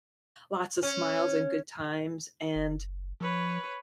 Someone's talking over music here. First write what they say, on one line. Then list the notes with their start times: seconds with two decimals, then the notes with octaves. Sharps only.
lots of smiles and good times, and
0.83 C#4
2.55 F#1
3.21 F3 B4 C#5